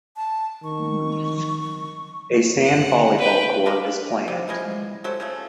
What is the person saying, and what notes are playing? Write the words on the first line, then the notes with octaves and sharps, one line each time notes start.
A sand volleyball court is planned.
A5
D#3 C#6
F#5
B4 G5
D4 A#4 F5 C6
C3
E3 F3 G#3
F#3 G4 A4 C5
C#3 F3 A3